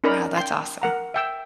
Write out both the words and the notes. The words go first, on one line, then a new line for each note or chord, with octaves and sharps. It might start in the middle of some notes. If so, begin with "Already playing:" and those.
Wow, that's awesome.
C#4 D#4 A#4 D5 A#5 B5
G5 C6
A#4 F#5 A#5
E5 G5 E6